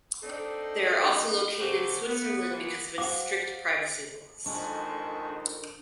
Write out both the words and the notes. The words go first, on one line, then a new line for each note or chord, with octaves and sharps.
They are also located in Switzerland because of its strict privacy laws.
C4 D4 D#4 A4
F#2 B3 D#4
C#3 F#4 G4 A4 C5
B3
E3 A#3 B3 F4 F#4
F#4 G#4 C5 F5 F#5 D6
F2 D#3 G#3 D4 A4 C#6